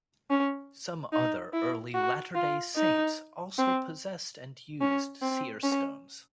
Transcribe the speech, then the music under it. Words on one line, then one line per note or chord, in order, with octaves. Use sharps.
Some other early Latter Day Saints also possessed and used seer stones.
C#4
D#4
E4
F#4
F4
D#4
C4
C#4
C4
C#4